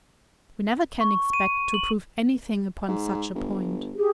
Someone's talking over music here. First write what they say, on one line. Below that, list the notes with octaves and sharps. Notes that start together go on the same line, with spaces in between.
We never can expect to prove any thing upon such a point.
C#6
D#7
F#7
G#2
G1
G4 G#4